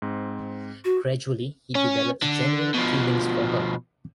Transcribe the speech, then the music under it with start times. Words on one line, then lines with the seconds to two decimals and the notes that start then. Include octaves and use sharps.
Gradually, he develops genuine feelings for her.
0.02 G#2 C4
0.85 F#4
1.75 C#4
2.22 D3
2.74 B2 F3